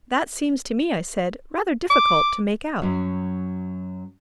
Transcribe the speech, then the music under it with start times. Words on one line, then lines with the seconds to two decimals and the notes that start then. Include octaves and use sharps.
"That seems to me," I said, "rather difficult to make out."
1.90 D6
2.82 F#2 F#3